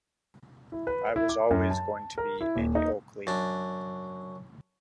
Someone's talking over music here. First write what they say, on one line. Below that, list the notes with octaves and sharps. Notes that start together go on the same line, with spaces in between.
I was always going to be Annie Oakley.
E4
B4
E4
D6
F#2
A5
A#4
E4
D#1
D#4
F#2 D4